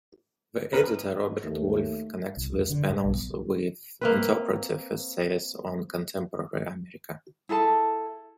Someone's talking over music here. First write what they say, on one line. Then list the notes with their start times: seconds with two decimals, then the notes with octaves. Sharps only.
The editor, Robert Wolf, connects these panels with interpretive essays on contemporary America.
0.73 C#4 E4 A#4 B4 D#5
1.44 D#2 A3
2.37 C2
2.53 F2
2.70 D3
2.90 G#2
3.05 B1
4.01 A#3 C4 B4
7.49 E4 G#4 A4 A5